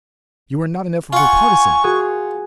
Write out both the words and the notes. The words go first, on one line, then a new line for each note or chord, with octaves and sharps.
You are not enough of a partisan.
F4 F#5 G#5 C#6
F#4 G#4